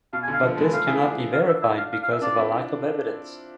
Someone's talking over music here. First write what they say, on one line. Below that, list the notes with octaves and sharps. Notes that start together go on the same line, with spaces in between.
But this cannot be verified because of a lack of evidence.
B2 F5
G#5
B2 D3
F5
D3 F3
E3 G#3
F3 A3 F5
E4 G#4
D4 F4
F5
E5
E5
F5
F5
F5
E5
D4 F4 D5
C4 E4